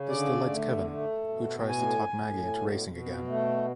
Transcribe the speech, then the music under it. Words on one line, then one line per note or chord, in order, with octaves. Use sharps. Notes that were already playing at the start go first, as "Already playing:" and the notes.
This delights Kevin, who tries to talk Maggie into racing again.
Already playing: C#3
D3 D5
A3
A3
B2
A2 G#5
A2
B2
B2
A3